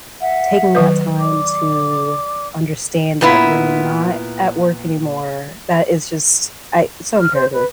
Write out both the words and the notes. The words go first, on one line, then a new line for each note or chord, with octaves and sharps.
taking that time to understand that you're not at work anymore, that is just I so imperative.
E5 F#5
D#3 F#3 B4
D5 D6
A#2 B3 E4
F6
C5
B4